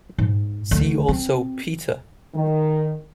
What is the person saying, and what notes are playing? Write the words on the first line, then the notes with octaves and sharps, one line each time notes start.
See also Peter.
G#2
D2
C4
D#3